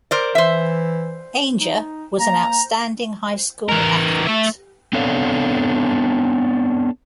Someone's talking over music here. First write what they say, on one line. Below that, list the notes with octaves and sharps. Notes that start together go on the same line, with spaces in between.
Ainge was an outstanding high school athlete.
A#4 C5 D5
E3 C5 E5
D#4
A#3 A#5
E3 A#4
A3 E5
B3 C4 D4 A4 C#5 F5